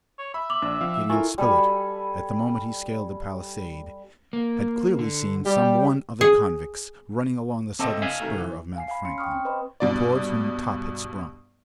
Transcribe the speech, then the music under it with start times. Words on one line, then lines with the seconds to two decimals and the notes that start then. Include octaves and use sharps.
Gideon Spilett, at the moment he scaled the palisade, had clearly seen some one of the convicts running along the southern spur of Mount Franklin, towards whom Top had sprung.
0.19 C#5
0.34 E5 B5
0.50 D6 F7 F#7
0.62 A#1 D4 E6
0.81 F3 C4 F5
1.10 E4 F4 A4 A#4 G#5 C#6
1.38 G3 A4 G#5 B5
4.33 A#3
4.99 D3
5.46 G3 G4
6.21 G#4
7.79 C4 A4 D#5 E5 A5 D6
8.02 E5 F5 G#5
8.20 C3 D#3 A3
8.38 E3
8.76 F5 G#5 C7
8.88 F5 G#5 B5
9.05 C#4 C6 C#7
9.18 G5 C#6 D#6 F6
9.31 C4 G5
9.45 B4 C5 D#5 B5 C6
9.80 G2 B2 D5